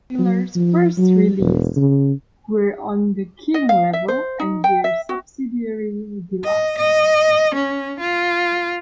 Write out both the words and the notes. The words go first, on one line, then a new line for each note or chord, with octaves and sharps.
Taylor's first releases were on the King label and their subsidiary DeLuxe.
F#3
F3
F#3
E1
C#3
D#5
F5
E5
C5
D#4
G5
E5
F#4
D#5
D#5
C#4
F4